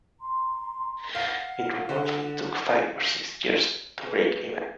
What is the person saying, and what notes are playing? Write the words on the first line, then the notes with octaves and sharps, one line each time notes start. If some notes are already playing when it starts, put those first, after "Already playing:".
It reportedly took five or six years to break even.
A#5 C6
F5 F#5
D3
G#4 B4